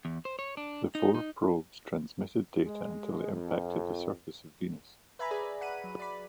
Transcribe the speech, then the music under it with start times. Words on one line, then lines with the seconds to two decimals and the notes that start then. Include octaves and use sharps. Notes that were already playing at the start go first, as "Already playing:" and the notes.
The four probes transmitted data until they impacted the surface of Venus.
0.05 E2
0.25 C5
0.39 C#5
0.57 D4
0.95 D#4
1.15 D#4
2.66 G#3
3.32 F2
5.19 B4 E5 G#5 A#5 B5
5.31 G#4 B4 D5
5.44 B4
5.61 F#5 B5 D#7
5.84 F#3
5.99 D5 B5